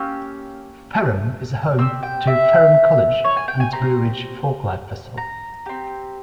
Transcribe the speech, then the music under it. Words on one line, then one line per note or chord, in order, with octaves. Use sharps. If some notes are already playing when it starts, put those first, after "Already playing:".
Ferrum is home to Ferrum College and its Blue Ridge Folklife Festival.
Already playing: A#3 C#4 G4 E6
C4 G4 E6
G5
E5
C#5
G#5
G5
G#5
C4 G4 A#5
A#5
C4 G4